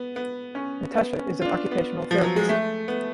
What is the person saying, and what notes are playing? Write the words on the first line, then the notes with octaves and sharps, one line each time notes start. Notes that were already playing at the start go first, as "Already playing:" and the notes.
Natasha is an Occupational Therapist.
Already playing: B3
B3
C#4
B3
C#4
F4
D4
B3
F3
F#3
G#3
A3
B3